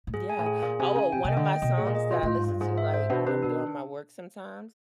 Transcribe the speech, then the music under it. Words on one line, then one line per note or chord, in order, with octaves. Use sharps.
Yeah. Oh, o one of my songs that I listen to, like, when I'm doing my work sometimes.
A2
G#2 G#4
G#5
A2
G#4
A#2 G#4
C3 G#5
C#3 G#5
C3 G5
C3 D#5
D3
G5
B2 D#5
A2 G#4
A#2
D#5
B2 F4
A2 F4
G#2
G2 F4
G#2 G#4
E5
C5
B2 D4
C3 B4
B2 D4